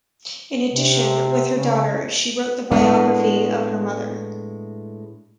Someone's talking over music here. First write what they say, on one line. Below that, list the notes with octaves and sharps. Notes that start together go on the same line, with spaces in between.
In addition, with her daughter, she wrote the biography of her mother.
C3
C#3
A2 G#3 B3 D4